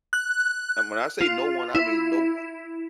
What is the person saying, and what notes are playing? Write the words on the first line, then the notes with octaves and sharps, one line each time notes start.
And when I say no one, I mean no one.
F#6
F4
E4